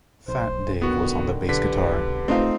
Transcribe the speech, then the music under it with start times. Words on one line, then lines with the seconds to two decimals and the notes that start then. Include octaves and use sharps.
'Fat' Dave was on the bass guitar.
0.28 B1 C5
0.82 D3 D#3 B3 F#4
1.49 D3 G4 B4 B6
2.28 A3 C4 D#4 F4